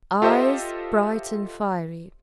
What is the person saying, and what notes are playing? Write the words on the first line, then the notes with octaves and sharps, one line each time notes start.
EYES--Bright and fiery.
F4 G4 A4 C5 D#5 E5